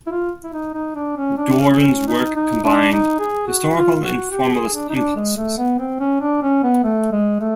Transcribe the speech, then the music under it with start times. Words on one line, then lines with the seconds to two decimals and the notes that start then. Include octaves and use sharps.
Doran's work combined historical and formalist impulses.
0.07 E4
0.12 F4
0.44 E4
0.53 D#4
0.74 D#4
0.95 D4
1.17 C#4
1.37 D4
1.59 C#4
1.79 C#4
2.07 D#4
2.36 D#4
2.64 D4
2.92 D#4
3.19 G#4
3.47 F#4
3.75 F4
3.96 F4
4.03 F#4
4.31 G4
4.52 G#4
4.74 D4
4.89 D#4
4.95 D4
5.16 G#3
5.37 A3
5.58 B3
5.79 C4
6.00 C#4
6.21 D4
6.42 C#4
6.63 B3
6.84 A3
7.12 G#3
7.40 A3